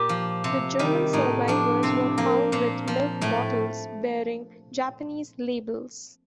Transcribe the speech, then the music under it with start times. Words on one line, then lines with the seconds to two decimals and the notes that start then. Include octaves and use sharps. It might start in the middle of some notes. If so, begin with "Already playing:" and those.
The German survivors were found with milk bottles bearing Japanese labels.
Already playing: A#2 G4
0.09 F3
0.44 C3
0.79 D#3 G3
1.13 A2 D#4
1.48 F3 D4
1.83 C3 C4
2.18 F3 A#3
2.52 A#2 A#3
2.88 F3
3.21 A2 A3